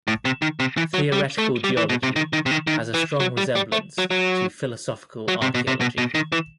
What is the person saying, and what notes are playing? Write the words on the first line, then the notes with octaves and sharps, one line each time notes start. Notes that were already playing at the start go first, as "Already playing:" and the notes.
Theoretical geology has a strong resemblance to philosophical archaeology.
A2
C3
D#3
C3
E3
F#3
G3
A3
G3
E3
B2
C3
D#3
D#3
C3
D#3
D#3
E3
F#3
G3
G3
A3
F#3
F#3
F#3
C3
B2
C3
B2
B2
D#3
E3